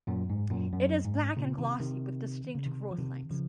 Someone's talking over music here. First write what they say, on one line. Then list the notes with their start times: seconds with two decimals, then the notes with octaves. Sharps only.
It is black and glossy with distinct growth lines.
0.07 F#2 A#2
0.30 G#2
0.51 F#2 A#2
0.72 F#2
1.04 G#2
1.37 A#2 C#3
1.58 C3 D#3
1.80 C3 D#3
2.55 C#3
2.66 C3 D#3
2.91 F3
2.98 C3 D#3
3.31 C#3 F3